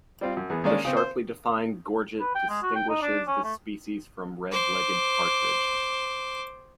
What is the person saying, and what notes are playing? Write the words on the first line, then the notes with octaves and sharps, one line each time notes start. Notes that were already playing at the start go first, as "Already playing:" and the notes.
The sharply defined gorget distinguishes this species from red-legged partridge.
G3 C4 F4
F#2
E2 B3 G#4
D#3 G#3 A#3 C#4 D4 D5
C#3 C4
C5
B4
G5
G#3
F#4
G5
D#4
D4
C#4
A3
C5 D6